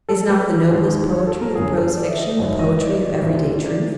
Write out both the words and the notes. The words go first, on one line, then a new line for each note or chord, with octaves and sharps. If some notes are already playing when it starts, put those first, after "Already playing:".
Is not the noblest poetry of prose fiction the poetry of every-day truth?
A4
B4
D#2 D#3 G#3
C#5
A4
A#4
G1 F#2 D3 F3 G#4
A4
D5
E5
D#5
F#1 F#2 D#3 G#3 E5
D#5
D5
D2 C3 F3
D5